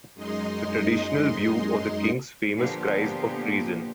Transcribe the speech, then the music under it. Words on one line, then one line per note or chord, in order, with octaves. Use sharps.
The traditional view of the king's famous cries of Treason!
F#2 G#3 D#4 D#5 C6
A#2 D3 F3 A#3 B3 G4